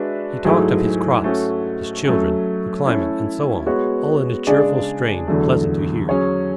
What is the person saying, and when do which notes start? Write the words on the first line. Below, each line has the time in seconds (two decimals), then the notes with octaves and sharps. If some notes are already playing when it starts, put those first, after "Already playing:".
He talked of his crops, his children, the climate, and so on, all in a cheerful strain, pleasant to hear.
Already playing: G#3 D4 F#4 B4 E5
0.45 G#2 F#3 A3 E4 G#4
1.24 A3 C#4 F#4
2.05 F#3 A3 C#4
2.86 A3 C#4 E4 A4
3.66 G#3 B3 F#4 C#5
4.47 C#3 G#3 D4 G#4 D5
5.27 E2 D3 F#3 A3
6.09 F#3 C#4 G#4 C#5